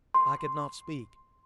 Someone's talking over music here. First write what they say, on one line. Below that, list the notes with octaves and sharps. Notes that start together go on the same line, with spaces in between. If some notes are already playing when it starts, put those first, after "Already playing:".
I could not speak.
C6